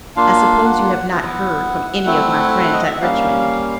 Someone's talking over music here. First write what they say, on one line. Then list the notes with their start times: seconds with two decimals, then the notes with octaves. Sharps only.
I suppose you have not heard from any of my friends at Richmond.
0.16 A#3 D4 F4 F5
0.64 F#5
1.10 B3 E4 F#5
2.05 A3 C4 E4
2.73 D#5
2.86 E5
3.00 G3 A#3 C#4 F5